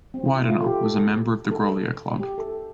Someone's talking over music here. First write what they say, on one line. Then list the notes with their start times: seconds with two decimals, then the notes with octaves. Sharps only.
Widener was a member of the Grolier Club.
0.14 C4
0.26 E4
0.37 F4
0.48 F4
0.62 A4
0.65 G4
0.83 A4
1.51 A4
2.20 G4
2.38 A4